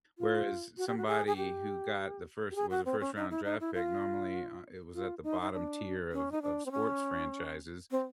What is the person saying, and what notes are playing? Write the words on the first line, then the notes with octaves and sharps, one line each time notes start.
Whereas somebody who got the first was a first-round draft pick, normally, uh, it was at the bottom tier of of sports franchises,
F4
F#4
G4
F#4
G#4
G#4
G4
G4
G#4
F#4
C4
C#4
D#4
E4
D#4
E4
F4
F4
D#4
D#4
D4
C#4
D#4
D4
C4
C#4
C4